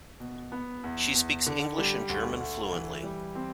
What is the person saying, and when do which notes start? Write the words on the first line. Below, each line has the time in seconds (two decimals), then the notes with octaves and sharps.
She speaks English and German fluently.
0.20 B2
0.52 B3
0.84 E2
1.15 E2
1.46 D3
1.78 G3
2.09 D2
2.40 D2
2.72 E3
3.03 G3
3.35 C4